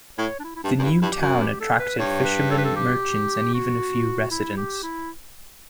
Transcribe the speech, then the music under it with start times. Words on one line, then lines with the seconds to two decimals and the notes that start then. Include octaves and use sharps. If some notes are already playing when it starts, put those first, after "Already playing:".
The new town attracted fishermen, merchants and even a few residents.
0.18 A2 C#5
0.39 D4
0.44 E4
0.56 E4
0.63 G2 D4
0.79 F#2
0.83 G2 E4
1.01 G2 E4
1.12 G4
1.21 F#2 F#4
1.41 G4
1.60 A4
1.80 B4
1.99 G2 C#5
2.25 B4
2.51 A4
2.58 B4
2.65 A4
2.76 G4
3.54 F#4
4.31 E4
4.57 G4
4.83 E4